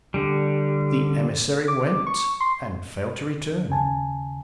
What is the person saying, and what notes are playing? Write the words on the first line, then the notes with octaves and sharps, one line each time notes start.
The emissary went, and failed to return.
D3 G3
D6
C#6
C6
D#2 C#3 G#5 A5